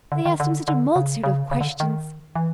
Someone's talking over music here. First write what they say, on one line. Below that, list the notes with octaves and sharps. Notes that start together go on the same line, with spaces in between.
They asked him such a multitude of questions!
D3
D#3
D3
D3
C#3
C#3
C#3
D3
D#3
E3